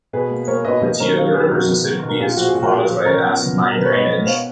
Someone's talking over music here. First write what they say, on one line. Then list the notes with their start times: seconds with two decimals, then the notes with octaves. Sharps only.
The Tioga River's acidity is caused by acid mine drainage.
0.13 B2 G#4 B4
0.31 A#3
0.47 A#3 A#4 C#5
0.65 B2 B4 D#5
0.82 A#3 B4 D#5
1.00 D#3 A#4 C#5
1.16 D#3 C#5 F5
1.34 D#3 G#4 B4
1.51 B2 F#4 A#4
1.68 B3
1.85 B3
2.03 B2
2.09 A#4
2.20 A#2 F4 G#4
2.31 F4
2.37 F3 F#4
2.48 G#4
2.55 A#2 F#4
2.63 A#4
2.71 A#2 F4 G#4
2.88 F3
3.05 C#3 A#4 C#5
3.23 B3
3.41 B3
3.57 B2
3.71 A#4
3.75 B2 B4
3.85 C#5
3.92 B3 B4 D#5
4.10 B3
4.26 B3 C#5 F5